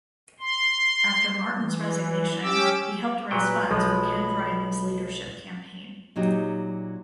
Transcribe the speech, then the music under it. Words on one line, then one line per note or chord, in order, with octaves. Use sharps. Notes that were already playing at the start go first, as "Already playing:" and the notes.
After Martin's resignation, he helped raise funds for Ken Dryden's leadership campaign.
C6
E3
C#4 G4 D6 E6
A#2 F#3 B4 G5
B1 F3 G#3 B5
A#2 F#3 D#4 G4